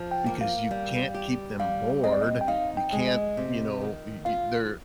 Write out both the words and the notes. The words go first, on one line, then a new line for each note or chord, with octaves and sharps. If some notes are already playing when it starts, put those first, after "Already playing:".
because you can't keep them bored. You can't you know, y y they're
Already playing: F3
G5
A#3
F5
G3
G4
G3 F5
C4 D#5
D5
D#5
G5
D#4 F5
G5
G#3
D#5
C3
D#3
F4 F5